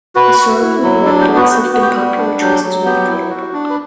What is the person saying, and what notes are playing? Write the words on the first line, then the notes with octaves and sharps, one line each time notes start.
Historically, lead bricks have been popular choices when available.
F#4 B4
F#4
E4
F#3
D4 A4
G4
B3
F#4
F#4 G4
B3 F#4
G4
F#4
G3
D4
F#3 G4
F#3
B3 G4
E4
F#4
D4
B4